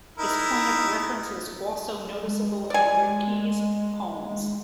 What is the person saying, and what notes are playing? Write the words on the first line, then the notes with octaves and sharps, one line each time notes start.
This point of reference is also noticeable in Rilke's poems.
D#4 E4 A#4
G#3
D5 G#5